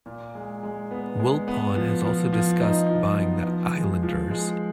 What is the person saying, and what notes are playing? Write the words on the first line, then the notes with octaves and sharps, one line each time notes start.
Wilpon has also discussed buying the Islanders.
A#2
G#3
G#3
B3
G#3
B3
F3
F3
F3
D#4
F3
B3
F3
G#3
F3
G#3